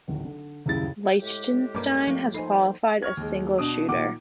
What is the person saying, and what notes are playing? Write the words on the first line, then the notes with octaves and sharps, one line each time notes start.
Liechtenstein has qualified a single shooter.
D1 G#1
D3
D#1 C#2 F#2 C#3 E4 A6
A2 G#3 G4
G2 A#3 A#4 D6
F3 A3 C#6
D#4 A4 C5 D#5 G#5
C#6 F6 G#6
D#2 G#3
B2 D4 D#6 D7
A#2 D#3 F#5 D6